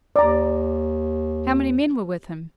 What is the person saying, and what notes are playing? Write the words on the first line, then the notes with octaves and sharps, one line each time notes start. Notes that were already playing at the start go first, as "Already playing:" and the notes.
'How many men were with him?'
D#2 D5 A#5